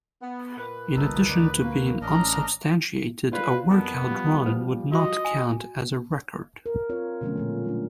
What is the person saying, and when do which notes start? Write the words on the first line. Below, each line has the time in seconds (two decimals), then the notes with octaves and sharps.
In addition to being unsubstantiated, a workout run would not count as a record.
0.22 B3
0.57 A#2 B4
0.96 G1 C2 D#4 A4
1.28 D2 D#4 D5
1.60 A#3 F#4
2.02 A1 C#4 D4 A#4 D#5 A#5
3.33 F4 B4 C5 D5 F5
3.70 F2 B3 A4 A#4
4.08 F3 G3
4.46 B4 C5
4.92 F#4 D#5 C6
5.25 G#5
6.66 A#4
6.89 C4 F4 C#5
7.21 B2 D3 F3 F#3 A3 C#4
7.36 A#2 F3 G#3
7.65 F#3 G#3 A3 D4